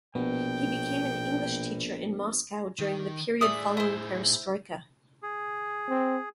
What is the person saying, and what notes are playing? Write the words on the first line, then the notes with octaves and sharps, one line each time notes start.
He became an English teacher in Moscow during the period following perestroika.
A#1 B2 B3 G5
D#3
A2 G#4 D5 E5 D#6
E4 C5
G#4
C4